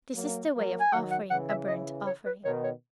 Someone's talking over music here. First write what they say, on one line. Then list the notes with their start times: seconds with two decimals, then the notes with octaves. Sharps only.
This is the way of offering a burnt-offering.
0.16 F#3 A#3
0.54 F#3 A#3
0.81 G#5
0.92 D#3 F#3 F#5
1.11 F#5
1.30 C#3 E3 F#5
1.49 E5
1.68 D#5
2.07 C#5
2.26 B4
2.44 B2 D#3 C#5
2.64 C#5